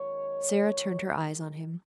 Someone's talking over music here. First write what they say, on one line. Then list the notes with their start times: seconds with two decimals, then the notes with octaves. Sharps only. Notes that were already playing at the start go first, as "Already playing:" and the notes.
Sara turned her eyes on him.
Already playing: F#2 D#3 G#3 C#5